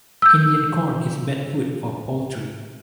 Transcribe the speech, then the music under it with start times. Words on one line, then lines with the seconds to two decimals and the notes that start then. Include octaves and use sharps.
Indian corn is bad food for poultry.
0.22 E6 G6